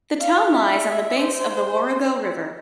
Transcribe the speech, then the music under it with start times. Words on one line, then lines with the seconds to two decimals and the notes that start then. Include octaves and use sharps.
The town lies on the banks of the Warrego River.
0.21 F5
0.54 E5
1.19 C5